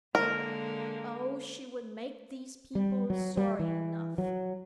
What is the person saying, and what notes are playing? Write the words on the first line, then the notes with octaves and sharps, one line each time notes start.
Oh, she would make these people sorry enough!
D3 G#3 A#3 A#4
G3
F#3
G3
E3
F#3